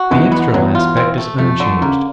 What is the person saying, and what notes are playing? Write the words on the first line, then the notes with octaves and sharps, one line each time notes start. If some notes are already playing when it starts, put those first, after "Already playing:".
The external aspect is unchanged.
Already playing: F#4
E2 E3 G#3
B3
E2 E3 F#3
F4
C4
A3
F2 F3 A3
D3
C#3 A#3